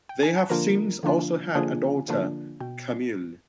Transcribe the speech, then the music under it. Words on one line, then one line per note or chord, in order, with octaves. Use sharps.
They have since also had a daughter, Camile.
G5
G#5
A5
D3 F3 A#3 D4 F4 A#4 A#5
D3 F3 A#3 D4 F4
D3 F3 A#3 D4 F4 G#4 G#5
D3 F3 A#3 D4 F4
B2 G5